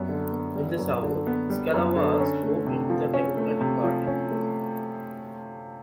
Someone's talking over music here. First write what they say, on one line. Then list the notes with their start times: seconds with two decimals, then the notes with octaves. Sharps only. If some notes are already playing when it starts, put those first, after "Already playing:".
In the South, Scalawags moved into the Democratic Party.
Already playing: F#2 G3 B3
0.09 D3
0.32 B3
0.55 G3
0.79 F#2
1.03 D3
1.27 B3
1.50 G3
1.74 F#2
1.96 D3
2.20 C#4
2.43 A3
2.67 C3
2.90 F3
3.14 C#4
3.37 A3
3.61 C3
3.84 F3
4.07 C#4
4.31 A3